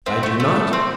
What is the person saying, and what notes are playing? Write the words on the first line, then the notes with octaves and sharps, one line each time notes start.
I do not.
C4 E5
A3
A3
A4
C4